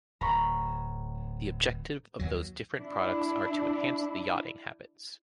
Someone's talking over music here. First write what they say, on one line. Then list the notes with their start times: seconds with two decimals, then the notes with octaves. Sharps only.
The objective of those different products are to enhance the yachting habits.
0.21 D1 A#5 B5 C#6
2.19 D#2 F#3
2.77 D4 E4